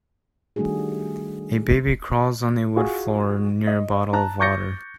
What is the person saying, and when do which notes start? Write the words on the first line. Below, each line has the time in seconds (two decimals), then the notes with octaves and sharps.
A baby crawls on a wood floor near a bottle of water.
0.56 D#3 G3 A3 D4 F#4 G#4
2.76 F4 F#4 G#4
3.67 D#5
4.13 A5 A#5 F#6
4.40 C#6 D6 G6 A6 A#6 C#7